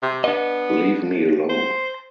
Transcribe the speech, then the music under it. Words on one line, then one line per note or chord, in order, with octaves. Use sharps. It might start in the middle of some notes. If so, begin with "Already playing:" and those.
Leave me alone.
C3
B3 D4 D#5
C5